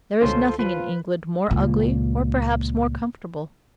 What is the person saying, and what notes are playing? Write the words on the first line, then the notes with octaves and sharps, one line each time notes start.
There is nothing in England more ugly or perhaps more comfortable.
C#2 B2 D3 C#4 F4 A4 C5
F3 F4 B4
C#2 A#2